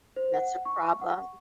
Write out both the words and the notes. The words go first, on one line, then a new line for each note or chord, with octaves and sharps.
That's a problem.
C5
F#5
C#6
F#5